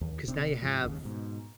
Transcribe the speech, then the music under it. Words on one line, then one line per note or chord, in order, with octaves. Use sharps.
'Cause now you have
D#2
D1 C3 C4 D4
G#2 F3
G1 D#2 C#3
G#2 B2